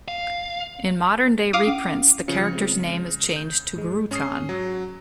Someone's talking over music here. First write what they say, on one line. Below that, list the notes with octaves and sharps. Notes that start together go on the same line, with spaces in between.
In modern-day reprints the character's name is changed to Grutan.
F5
E4 F5 D6 D#6
C#4
C#3 F3 C#4 C#7
G#3 C4
G6
G#2 G#3
C#4 D#6 C7
F#3